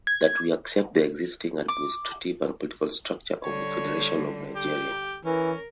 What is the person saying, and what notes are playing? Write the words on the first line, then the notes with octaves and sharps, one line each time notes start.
That we accept the existing administrative and political structure of the Federation of Nigeria.
G#6
D6
D3 G3 C#5
G4
E3 C#4 A#4